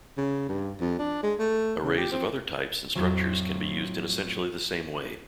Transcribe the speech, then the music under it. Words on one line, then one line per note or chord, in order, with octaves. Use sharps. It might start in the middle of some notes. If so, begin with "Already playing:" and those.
Arrays of other types and structures can be used in essentially the same way.
C#3
G2
F2
D4
G#3
A3
C#3
G4
C4
F2 A2 F3 F#3